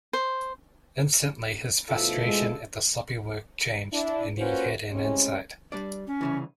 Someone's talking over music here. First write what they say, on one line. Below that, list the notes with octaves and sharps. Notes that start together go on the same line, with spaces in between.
Instantly, his frustration at the sloppy work changed and he had an insight.
C5
D2 B2 F3 E4 F4 A4
G#3
D4 E4
A#3 C#4 F4 F#4 B4 C5
A2 C3 G#3 C#4
G3 D4 D5
C#4
C2 C#3 E3